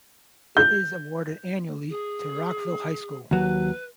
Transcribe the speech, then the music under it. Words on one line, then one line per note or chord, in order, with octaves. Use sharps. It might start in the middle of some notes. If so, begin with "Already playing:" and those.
It is awarded annually to Rockville High School.
G6
G#4
D#2 F#3 B4